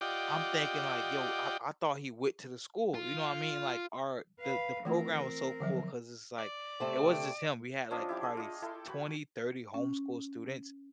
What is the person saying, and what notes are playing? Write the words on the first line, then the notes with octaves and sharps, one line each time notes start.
I'm thinking, like, yo, I I thought he went to the school. You know what mean? Like, our the the program was so cool 'cause it's, like, it wasn't just him. We had, like, probably s twenty, thirty homeschool students
F4 G4 D5 D#5 F#5 G5
F4
B4 F5
E3 A3 C4 F4 A#4
D3 F3 F#3
D5
C3 A3 C4
F3 C#4 D4 D#5
E4 G4 D6
G4 G#4
F4 D#5
E4 A4 G5 C6
F#4 G5 B5
C#4